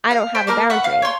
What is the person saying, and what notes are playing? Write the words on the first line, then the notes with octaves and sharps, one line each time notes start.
I don't have a boundary.
F5
C5 G5 B5
A#3 A#4 A#5 F6
F#5 B5 C#6
F5
C#5 C6